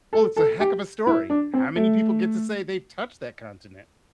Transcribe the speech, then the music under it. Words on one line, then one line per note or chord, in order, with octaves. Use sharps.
Well, it's a heck of a story. How many people get to say they've touched that continent?
A4
A4
G4
E4
D4
C4
A3